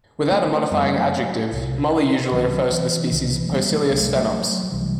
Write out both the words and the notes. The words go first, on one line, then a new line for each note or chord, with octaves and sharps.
Without a modifying adjective, molly usually refers to the species "Poecilia sphenops".
A3 C4
F#2 G3 B3
F#3 A3
C2 C3
C2 C3 D#3 F#3
E3
C2 C3 D#3
E3
A3
G3 B3
F#3 A3
C2 C3 A3
G3
F#3 A3
F#3 A3
F#3
C2 C3 E3 G3